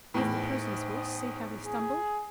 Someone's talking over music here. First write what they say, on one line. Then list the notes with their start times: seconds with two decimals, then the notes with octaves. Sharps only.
Here's the prisoner's horse, see how he stumbled?
0.14 E2 A2 D#4 C5 D#6
1.65 G#4